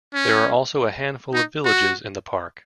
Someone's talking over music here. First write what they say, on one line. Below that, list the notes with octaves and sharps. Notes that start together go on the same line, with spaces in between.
There are also a handful of villages in the park.
C#4
D#4
F#4